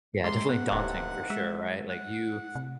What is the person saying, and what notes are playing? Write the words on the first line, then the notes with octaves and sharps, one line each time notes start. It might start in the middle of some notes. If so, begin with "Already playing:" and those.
Yeah, definitely daunting for sure, right? Like you
C3 G#3 C6
B3 F#5
D1 A1 D#2 C3
G#3 E5
F#5
C3